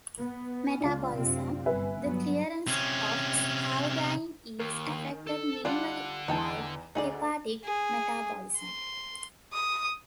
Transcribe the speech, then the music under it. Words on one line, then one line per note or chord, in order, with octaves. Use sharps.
Metabolism: The clearance of stavudine is affected minimally by hepatic metabolism.
B3
C#2 C#3 D4 F4
F#2 C3 C4
G1 B4 E5 G#5
G1 F#3 B3
C3 C#4
D#2 A#4
D#3
A4
D3 G3 D4 F4 F#5 F#6
E2 E3 D#4 G5 A5
D2 D3 D#4 G#4 D5
G#4
C6
D#6